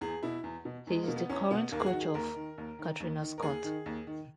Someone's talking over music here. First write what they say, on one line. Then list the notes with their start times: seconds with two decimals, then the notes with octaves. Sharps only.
He is the current coach of Katrina Scott.
0.01 E2 G#4
0.23 B2 E4
0.44 E2
0.65 B2
0.87 E2 G#3
1.03 B2 A#3
1.16 B3
1.29 E2 C#4
1.51 B2 B3
1.72 D#2 A#3
1.79 G#4
1.86 F#4
1.93 D#3
2.01 G#4
2.14 D#2 A#4
2.36 D#3
2.58 D#2
2.79 D#3
3.00 D#2
3.22 D#3
3.38 A#4
3.42 D#2 G#4
3.64 D#3
3.86 D#2
4.07 D#3